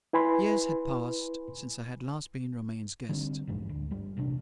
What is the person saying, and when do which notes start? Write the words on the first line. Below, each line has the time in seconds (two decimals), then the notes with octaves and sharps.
Years had passed since I had last been Romayne's guest.
0.13 E4 B4 G#5 B5 C6
3.09 D3 G3 B3 C4
3.47 A#1 E2 G#2 G#3
3.69 D2
3.91 G1 G3
4.17 E1 A#1 C3 D4